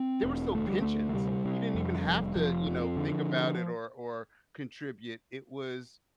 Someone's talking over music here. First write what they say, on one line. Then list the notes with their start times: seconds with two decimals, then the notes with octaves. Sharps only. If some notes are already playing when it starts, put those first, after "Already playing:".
there were still pensions. You didn't even have to, you know, think about it or or contribute. It was,
Already playing: C4
0.23 E1
0.54 D2 A3
0.68 G3
0.82 D2 A3
1.09 A3
1.14 C3 G3
1.45 C3
1.75 F2
2.05 F1
2.35 F1 F3
2.66 F2
2.96 D3